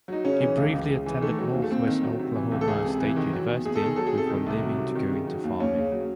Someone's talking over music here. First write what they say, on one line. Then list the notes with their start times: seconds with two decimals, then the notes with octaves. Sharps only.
He briefly attended Northwest Oklahoma State University before leaving to go into farming.
0.08 F#3 D#4
0.25 C#3 C#4
0.41 E3
0.57 C#2
0.73 C#2
0.89 C#3
1.06 E3
1.21 D#3 A3
1.38 F#3
1.54 D#2
1.62 A3
1.70 D#2 C4
1.87 D#3
2.03 F#3
2.19 C3
2.36 E3
2.51 C#2
2.61 A4
2.68 C#2 G#4
2.84 C3
3.01 E3
3.16 D#3
3.33 F#3
3.49 E2
3.65 E2 G#4
3.75 A4
3.82 D#3 G#4
3.96 F#3 A4
4.07 G#4
4.14 C3 A4
4.27 D#3 G#4
4.46 C2
4.63 F#3
4.79 C3
4.95 D#3
5.12 C#3
5.27 F#3
5.44 D#2
5.60 D#2 C#4
5.76 C#3
5.92 F#3